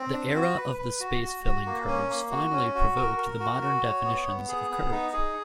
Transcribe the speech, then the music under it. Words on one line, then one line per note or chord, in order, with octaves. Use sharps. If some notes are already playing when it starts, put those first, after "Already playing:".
The era of the space-filling curves finally provoked the modern definitions of curve.
Already playing: C4
D4
F#4
B4
B4
F#4
F#4
F#4
A#3
C#4
A#3
F#4
C#4
F#4
A#4
A#4
F#4
F#4
C#5
B3
B3
G#4
B3
D#4
G#4